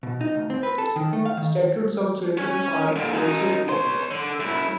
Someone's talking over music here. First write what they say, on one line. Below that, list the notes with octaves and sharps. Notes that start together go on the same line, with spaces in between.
Statues of children are also planned.
B2
D#4
D2
C4
B4
A4
D#3
A3
F5
D#3
C#4 G#5
A#2 D3
F#2 D#4
C#5 C6
D3
F#2 E4